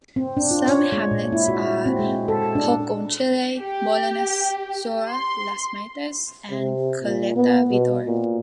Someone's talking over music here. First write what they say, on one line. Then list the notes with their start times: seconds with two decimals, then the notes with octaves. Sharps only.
Some hamlets are Poconchile, Molinas, Sora, Las Maitas and Caleta Vitor.
0.16 C4
0.37 D4
0.51 F4
0.68 C#5
0.92 G#3
1.11 A#2
1.32 E4
1.48 F#4
1.86 C4
1.99 G#3
2.28 A4
2.55 D4
3.59 G4
5.09 C6
6.51 C3
7.03 A#2
7.36 B3
7.71 B2
8.06 A#2